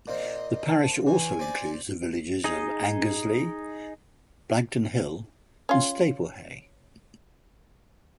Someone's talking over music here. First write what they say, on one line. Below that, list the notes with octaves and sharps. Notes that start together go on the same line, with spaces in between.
The parish also includes the villages of Angersleigh, Blagdon Hill and Staplehay.
A#2 C4 D#5
A5
E2 G#5
C4 D5
D#4 G#4 D#5
C#4 F4